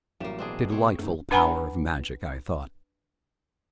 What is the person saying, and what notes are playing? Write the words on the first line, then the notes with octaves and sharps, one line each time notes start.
"Delightful power of magic!" I thought.
A1 F#3 G3 A#3 E7
B2 C4 D4 G#4
C4 C#5
F#2 D#3 A3
D4 B4 F#5 G#5 A#5 B5